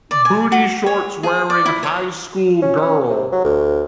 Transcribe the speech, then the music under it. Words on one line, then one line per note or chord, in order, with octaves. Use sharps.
booty-shorts-wearing high school girl
D5
G#5
F#4
C#5
G#4
D5
E4
C#5
C#4
C#4
C3
F#3
D2